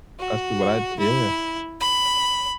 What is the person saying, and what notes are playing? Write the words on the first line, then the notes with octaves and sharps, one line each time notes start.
that's to what I yeah.
F#4
E4
B5